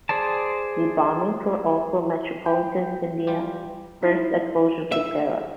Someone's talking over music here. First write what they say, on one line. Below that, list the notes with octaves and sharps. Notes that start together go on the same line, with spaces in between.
The bombings were also metropolitan India's first exposure to terror.
G#4 C5 D5 A5
G5
G3 F4 G4
D#4 E4 B6
E5